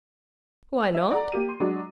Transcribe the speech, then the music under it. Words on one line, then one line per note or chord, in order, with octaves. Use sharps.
"Why not?"
E5
D5 F#5 A#5
A#3 G4 D#7
C6
F#3 G#3 D4 F#4